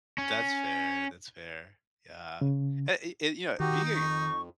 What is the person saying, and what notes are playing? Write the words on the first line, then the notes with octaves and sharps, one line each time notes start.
That's fair. That's fair. Yeah, and and you know, being a
C#4
C#3
D#3 D#4 F#4 G4
F2 C#6